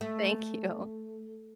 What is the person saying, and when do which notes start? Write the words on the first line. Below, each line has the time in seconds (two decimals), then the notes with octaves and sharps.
Thank you.
0.01 A3